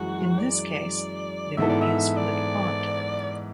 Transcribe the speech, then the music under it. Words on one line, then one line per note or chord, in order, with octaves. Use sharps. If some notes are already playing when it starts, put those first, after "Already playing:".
In this case, there would be a split pot.
Already playing: F#2 E3 G#3 F#4
D5
G#2 E3 B3 E4 A4 E5
D5
E5
D5